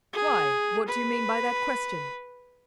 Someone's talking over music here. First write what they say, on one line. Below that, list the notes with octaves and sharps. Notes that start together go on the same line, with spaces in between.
"Why?--what do you mean by that question?"
G#4
B4